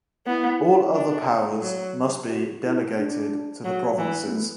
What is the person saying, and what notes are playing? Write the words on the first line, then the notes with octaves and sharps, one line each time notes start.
All other powers must be delegated to the provinces.
B3 E4
D4
F#3
F#4
E4
D4
F#3
E3
B3
A3